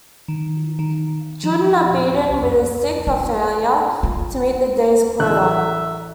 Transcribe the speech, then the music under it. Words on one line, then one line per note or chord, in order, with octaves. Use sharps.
Children are beaten with a stick for failure to meet the day's quota.
D#3
D#3
F3
C2
F2
F4
F4
A1 E5 F#6